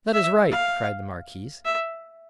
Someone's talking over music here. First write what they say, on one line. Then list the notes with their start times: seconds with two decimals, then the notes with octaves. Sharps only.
"That is right," cried the marquise.
0.13 E5
0.51 F5
1.65 E5